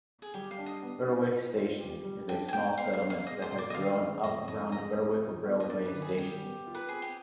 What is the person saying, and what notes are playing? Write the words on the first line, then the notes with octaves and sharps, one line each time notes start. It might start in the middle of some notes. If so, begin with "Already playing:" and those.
Berwick Station is a small settlement that has grown up around Berwick railway station.
G#4
G3 G4
F5
D4
D#5
B3
D#4
F4
F4
G4
G3
D4 G5
G#5
B3 G5
B3 F5
F5
B3
F5
G#3 D#5
C5
B2
D5
D#5
D#3 F5
G#3
F2 D#5
F2 D#5
G#3 D#5
C4
F4
B3
D#5
G2 D5
B4
D#3
G#4
G3 G4
B3
F4
B4
C4 G#4
G4